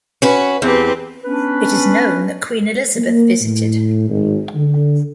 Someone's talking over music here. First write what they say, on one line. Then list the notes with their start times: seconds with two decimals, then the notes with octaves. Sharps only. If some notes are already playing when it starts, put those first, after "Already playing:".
It is known that Queen Elizabeth visited.
0.22 C#4 F#4 B4
0.62 E2 C4 G4 B4
1.23 B3 C#4 D4 B4
2.98 A#3
3.41 A2
4.09 G#1
4.55 D3